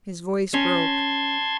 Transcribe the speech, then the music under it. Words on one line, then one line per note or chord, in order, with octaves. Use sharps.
His voice broke.
C#4 A5 C6 G#6